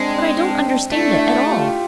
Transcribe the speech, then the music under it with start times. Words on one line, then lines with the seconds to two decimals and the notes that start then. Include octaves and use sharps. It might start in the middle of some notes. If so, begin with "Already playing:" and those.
But I don't understand it at all!
Already playing: G#3 C4 D4
0.92 A3 D4 E4
1.46 F4 G4